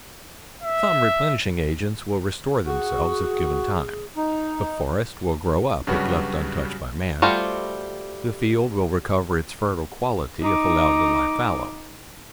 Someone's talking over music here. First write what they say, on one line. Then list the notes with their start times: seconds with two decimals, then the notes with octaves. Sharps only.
Some replenishing agents will restore themselves if given time; the forest will grow up if left untouched by man; the field will recover its fertile quality if allowed to lie fallow.
0.63 E5
2.66 F#4 G#4
4.17 D#4
5.87 G2 C#3 F#3 G3 F#4 B4
7.22 G3 A3 F4 F#4 C5
10.42 D#4 D6